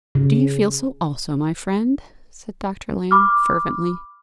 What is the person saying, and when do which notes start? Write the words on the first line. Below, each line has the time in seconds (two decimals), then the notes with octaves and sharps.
"Do you feel so, also, my friend!" said Dr. Lamb, fervently.
0.15 C#3
3.11 B5 D6 F6